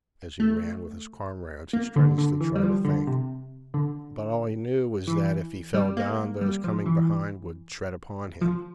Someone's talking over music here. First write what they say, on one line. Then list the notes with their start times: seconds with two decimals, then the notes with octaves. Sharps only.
As he ran with his comrades he strenuously tried to think, but all he knew was that if he fell down those coming behind would tread upon him.
0.40 A3
1.73 A#3
1.96 D3
2.18 D3
2.40 E3
2.55 G3
2.63 F3
2.85 D3
3.07 C3
3.74 D3
5.07 E3
5.74 G3
5.97 A#3
6.41 G3
6.64 F3
6.86 E3
8.41 F3